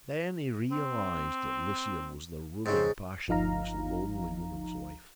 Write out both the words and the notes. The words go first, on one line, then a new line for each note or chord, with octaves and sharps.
Then he realized that Lucien was the ruling passion in this lonely woman's life.
C4
G#2 C#3 C4
G1 F3 D#4 F5 A#5